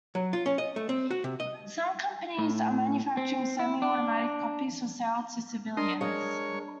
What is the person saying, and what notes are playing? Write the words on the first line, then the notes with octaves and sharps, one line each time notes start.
Some companies are manufacturing semi-automatic copies for sale to civilians.
F#3
F4
C#4
D#5
A3
C4
F#4
C3
D#5
A2
C4
E4
D4
D4 A#4 D#5 C6
G#3 A#4 C#5